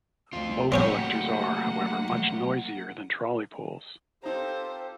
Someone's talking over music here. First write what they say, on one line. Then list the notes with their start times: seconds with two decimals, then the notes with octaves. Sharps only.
Bow collectors are, however, much noisier than trolley poles.
0.33 D2 C4 F4
0.72 F#3 A3 A#3 C4 C#4 G4 F#5 G5
4.23 C4 D#4 F4 G4 A4 C5 A#5